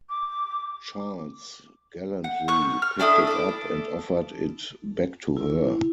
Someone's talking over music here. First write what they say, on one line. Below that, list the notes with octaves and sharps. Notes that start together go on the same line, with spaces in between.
Charles gallantly picked it up and offered it back to her.
D6
F#5
C#6 F#6
F6
D4 E4 A4 D#6
A4 D6
E4